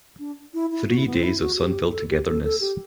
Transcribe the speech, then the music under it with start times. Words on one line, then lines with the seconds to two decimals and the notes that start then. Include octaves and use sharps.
Three days of sun-filled togetherness.
0.19 D4
0.54 E4
0.72 E4
0.88 F#4
0.97 E4
1.06 B3
1.14 C4
1.23 E4
1.40 F#4
1.57 G4
1.91 A4
2.09 G4
2.27 A4
2.44 A4
2.60 G4